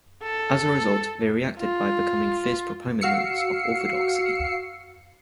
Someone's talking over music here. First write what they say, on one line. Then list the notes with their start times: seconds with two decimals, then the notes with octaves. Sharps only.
As a result, they reacted by becoming fierce proponents of Orthodoxy.
0.23 A4
1.58 F4
3.01 F#4 F5 E6 C7 C#7